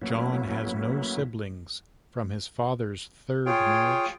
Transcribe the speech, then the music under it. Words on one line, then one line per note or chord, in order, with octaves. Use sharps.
John has no siblings from his father's third marriage.
A2 F#3 A#3 B3 C#4 E4
F4 G#4 C#5 G5